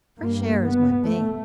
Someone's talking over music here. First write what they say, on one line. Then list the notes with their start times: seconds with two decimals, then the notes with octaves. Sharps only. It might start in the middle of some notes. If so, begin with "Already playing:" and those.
Fresh air is my bane.
0.20 G2 A#3
0.64 B3
1.08 A3